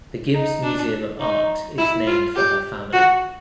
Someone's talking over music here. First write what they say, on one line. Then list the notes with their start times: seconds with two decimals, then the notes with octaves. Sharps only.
The Gibbes Museum of Art is named for her family.
0.34 D#4
0.63 D4
1.20 D#4
1.78 E4
2.06 F4
2.35 G4
2.92 F#4